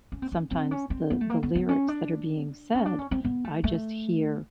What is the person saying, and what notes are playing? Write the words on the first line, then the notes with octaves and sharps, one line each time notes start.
sometimes, the the lyrics that are being said, I just hear
C#4
C4
C#4
C4
C#4
C4
B3
A3
A#3
B3
B3
C#4
D4
C#4
D4
C#4
C4
B3
A3
A3